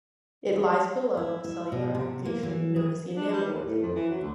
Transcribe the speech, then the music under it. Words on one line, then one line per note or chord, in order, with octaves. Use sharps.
It lies below a cellular aggregation known as the enamel organ.
E4
E5
B2
C3
A#3
E3
G#4
D4
G3
D#2
A2
F2
E3
F#3
D2